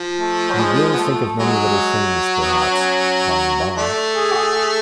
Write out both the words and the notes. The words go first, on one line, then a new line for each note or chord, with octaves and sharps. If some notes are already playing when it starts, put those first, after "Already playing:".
You will think of many little things perhaps, by and by.
Already playing: F3
A3
F#3
G#3
B3
A3
F#3 G#3
B3
C#4
A3 D4
G#4
F#4
G#4
G#4